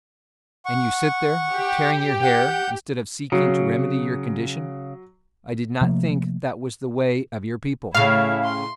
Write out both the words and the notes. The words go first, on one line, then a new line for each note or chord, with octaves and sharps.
"And you sit there, tearing your hair, instead of seeking to remedy your condition; I did not think that was the way of your people."
F#5 C#6
G4
F#5 G6
C#3 F#3
C3 F3 A3 A#3
A2 C#3 E4 C#5 F5
C6